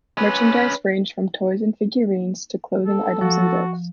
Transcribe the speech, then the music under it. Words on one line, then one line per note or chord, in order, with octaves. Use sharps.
Merchandise ranged from toys and figurines to clothing items and books.
C#4 B4
A4
F3 F#4